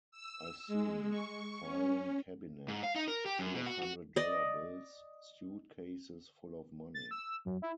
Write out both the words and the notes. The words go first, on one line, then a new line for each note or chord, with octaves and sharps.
I've seen filing cabinets full of hundred-dollar bills, suitcases full of money...
E6
G#3
C#6
C#4
G#2
F5
D#4
A#4
G4
F#2
B2
F#4
F#4
D5 D#5
A6
E6
F#2
E4